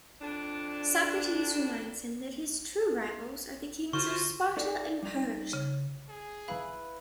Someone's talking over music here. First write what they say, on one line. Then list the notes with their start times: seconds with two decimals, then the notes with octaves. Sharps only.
Socrates reminds him that his true rivals are the kings of Sparta and Persia.
0.22 F2 D4
3.93 D3 F4 F#4 C5 C#6 F6
4.57 D#4 A4 D5
5.03 G3 D#4
5.53 C#3
6.09 G#4
6.48 E4 B4 F5 B5